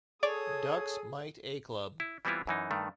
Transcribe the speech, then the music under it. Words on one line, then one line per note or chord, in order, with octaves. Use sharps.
Ducks Mite A club.
G#4 A4 C#5 D5 D#6
E4
E3 G3 B3 C4 E4 F4
F#2 E3 D#4
G2 D#3 A3